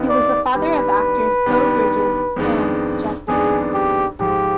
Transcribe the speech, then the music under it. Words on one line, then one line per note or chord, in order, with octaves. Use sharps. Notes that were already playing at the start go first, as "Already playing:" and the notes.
He was the father of actors Beau Bridges and Jeff Bridges.
Already playing: D#2 D#3 B3 D#4
D5
D#3 G3 B3 D4 G4 B4
D#3 G3 B3 D4 G4
F2 D#3 G#3 B3 D4
F2 D#3 G#3 B3 D4 G#4
G4
G#2 F3 G#3 G4